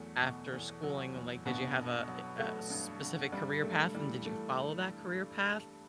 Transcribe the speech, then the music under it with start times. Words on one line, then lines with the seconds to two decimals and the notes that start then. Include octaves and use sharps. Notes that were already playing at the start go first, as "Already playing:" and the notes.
after schooling, um, like, did you have a eh a specific career path, and did you follow that career path
Already playing: E2 F#3 A3
0.21 B2
0.52 E2
0.83 F#3
1.14 E2
1.46 G2 B2 B3
1.77 G2
2.08 F#3
2.39 F#3 A3
2.70 G2
3.02 G2
3.32 G2 G3
3.63 G2 A3
3.94 E3 G3
4.26 E3 A3